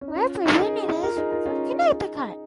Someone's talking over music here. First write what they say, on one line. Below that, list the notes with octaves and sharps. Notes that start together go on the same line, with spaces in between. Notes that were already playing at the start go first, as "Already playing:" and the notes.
Representatives from Connecticut.
C#4
D#4
C#4 F4
D#4 G#4
F4 A#4
D#4 G#4
F4 A#4
C#4 F4
D#4 G#4